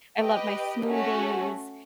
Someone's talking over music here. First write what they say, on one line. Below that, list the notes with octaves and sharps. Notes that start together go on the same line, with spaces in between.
I love my smoothies.
G4 B4 D#5 G5
A3 C#4 F#4